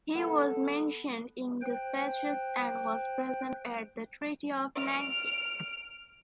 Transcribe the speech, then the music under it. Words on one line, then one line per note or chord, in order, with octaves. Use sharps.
He was mentioned in despatches and was present at the Treaty of Nanking.
B3 A4
C5 G5 F#6
F6 D7